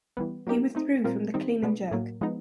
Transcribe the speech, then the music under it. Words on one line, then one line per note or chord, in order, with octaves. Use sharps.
He withdrew from the clean and jerk.
E3 G3 B3
F#3 A#3 D#4 G4 A#4
A3 C4 D#4
A#2 G3 C4 F4 A#4
D#3 G3 C4 D#4
B2 G#3 B3 D4
A2 F#3 A#3
F3 G#3 B3 D#4